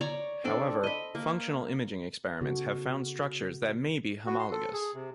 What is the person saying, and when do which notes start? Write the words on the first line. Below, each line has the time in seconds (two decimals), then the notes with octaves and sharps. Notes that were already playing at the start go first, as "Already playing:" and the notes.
However, functional imaging experiments have found structures that may be homologous.
0.01 C#5 D5 A#5
0.44 C4 D4 A4 D5
0.83 D#5 B5
1.15 A#3
2.41 C#3 B3 D#4 F#4 A4
4.26 F#4
4.39 C6
4.51 A4
4.73 G#4
4.94 C3